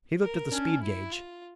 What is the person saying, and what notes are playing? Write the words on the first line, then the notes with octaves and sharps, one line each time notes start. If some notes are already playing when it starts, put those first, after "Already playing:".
He looked at the speed gage.
A#4
C#4 D4
E4
F4